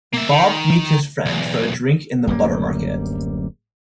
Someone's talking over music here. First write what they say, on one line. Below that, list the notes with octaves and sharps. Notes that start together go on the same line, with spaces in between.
Bob meets his friend for a drink in the Buttermarket.
A#3 E5
D#3
B1 E2
D1 F#2 G3 A#3